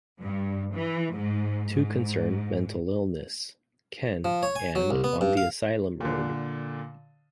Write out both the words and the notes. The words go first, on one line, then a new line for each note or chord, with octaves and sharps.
Two concern mental illness - "Ken" and "On the Asylum Road".
G2
E3
G#2
G#2
F3
C#5
G#5
F#3
C2
B3
G2
F5
A#2 D3